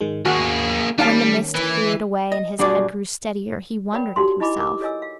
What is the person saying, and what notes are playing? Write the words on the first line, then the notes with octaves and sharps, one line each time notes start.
When the mist cleared away and his head grew steadier, he wondered at himself.
G#2 D#3 G#3
D#2 A#3 F#4 G#4
D#3 G3 A#3 C#4 D4 F5 A5
E3
D#5
B1 G3 D4 F#4 G#4 D5
A#4 C#5 D5 F#5 G5 B5
D#4 F#4 G4 A4 C6
D#4 E4 D#5 G#5 B5 D6
A#4 D6
A4 C#5 D#5 G#5 E6
F5